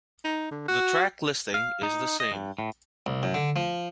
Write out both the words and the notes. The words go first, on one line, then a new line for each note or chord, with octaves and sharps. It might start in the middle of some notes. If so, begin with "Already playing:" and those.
The track listing is the same.
D#4
D3
F#4
F5
D#4
D#5
G2
A2
C2
F#2
D3
F3